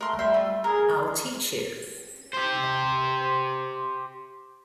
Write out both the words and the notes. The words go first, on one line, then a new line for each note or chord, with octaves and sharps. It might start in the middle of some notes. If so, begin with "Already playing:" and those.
I'll teach you.
A3 A#4 C6
G3 E5 G5 C6
A3
G#4 A#4
G4 C5